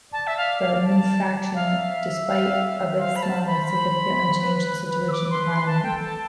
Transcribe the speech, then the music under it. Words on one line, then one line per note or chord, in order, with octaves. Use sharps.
The "New Faction", despite of its smallness, significantly changed the situation in the Parliament.
D5 A5
E5
F5
F5
A5
E5 F5
F5
C5 F5
B5
A5
B5
B5
B4
E6
D6
C6
C6
A5
A4 G5
A5